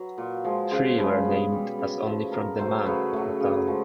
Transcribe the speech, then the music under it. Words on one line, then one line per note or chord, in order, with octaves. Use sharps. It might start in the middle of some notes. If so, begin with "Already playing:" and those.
Three were named, as only from the "Man" of the town.
Already playing: F#3 B4
A#2
F3 G#3
C#3 C5
F3 G#3 B4
B2
G3
C#3
F3 A3
B2 A#4
F#3 A3 C5
C#3 B4
F#3 A3
C#3
F3 G#3